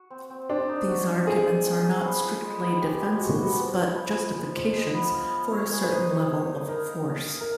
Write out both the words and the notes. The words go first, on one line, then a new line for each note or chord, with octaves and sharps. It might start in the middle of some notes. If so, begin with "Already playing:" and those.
These arguments are not strictly defences but justifications for a certain level of force.
Already playing: F#4
C4
C4
C4 D4
D#4
F#4
D#4
C4 G#4
C4
C4
F#4
B3
F3
G#3
B3
G#3 G4
G#3
G#3 F#4
G4
B3 F#4
F3 B4
G#3
F3
F3
G#3
F3
G#3
B3
F5
F5
C#5
G#4
C5
D#4 B4
C#5
G#4
D#4
D#4 A#4
F5
F5
F5
A#4